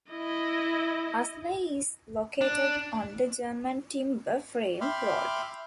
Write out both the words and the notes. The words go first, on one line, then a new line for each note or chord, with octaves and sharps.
Uslar is located on the German Timber-Frame Road.
E4 D#5
D4
E5 G5 B5 C6 D6 F6